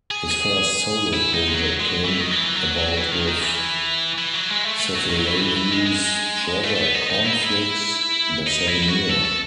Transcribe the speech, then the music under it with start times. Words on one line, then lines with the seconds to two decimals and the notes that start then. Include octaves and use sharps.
His first solo project came about with Satellaview's "Treasure Conflix" the same year.
0.11 G#4
0.31 G#4
1.13 E4
1.34 D#4
1.48 G#3
1.54 F#3
1.80 G#3
1.89 F#3
2.04 E3
2.20 D#3
2.31 F#3
2.36 E3
2.55 F#3
2.75 F#3
2.97 E3
3.11 D#3
3.27 D#3
3.42 E3
4.18 E3
4.34 F#3
4.50 G#3
4.65 A3
4.79 A3
4.95 F#3
5.10 D#3
5.19 F#3
5.27 E3
5.42 E3
5.56 E3
5.72 G#3
5.87 G#3
6.64 A3
6.75 A3
6.79 B3
6.94 D#4
7.10 D#4
7.25 E4
7.33 D#4
7.42 E4
8.47 D#4
8.67 E4
8.83 E4
8.88 F#4
9.09 A4
9.25 A4